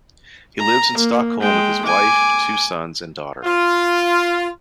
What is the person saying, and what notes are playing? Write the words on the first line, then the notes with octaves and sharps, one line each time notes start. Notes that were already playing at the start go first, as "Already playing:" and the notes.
He lives in Stockholm with his wife, two sons and daughter.
A#5
A#3
G#3 G5
G#5 D6
F4